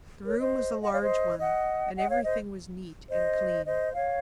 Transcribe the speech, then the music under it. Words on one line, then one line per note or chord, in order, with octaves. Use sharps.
The room was a large one and everything was neat and clean.
A#4 C#5
C5 D#5
D#5 F#5
C#5 F5
C5 D#5
D#5 F#5
D#5 F#5
C#5 F5
C5 D#5
C5 D#5
C5 D#5
C#5 F5